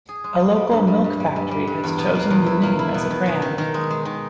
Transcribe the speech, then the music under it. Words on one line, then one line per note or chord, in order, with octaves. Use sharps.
A local milk-factory has chosen the name as a brand.
G#4
G#3
G#3
G3
G2
G2
G2
G3
G2
G3
G2
E2
B2
A#3
E2
E4
A#3
E4
B2
D#3
D#3
D#3
D#3
G#3
G#3
D#3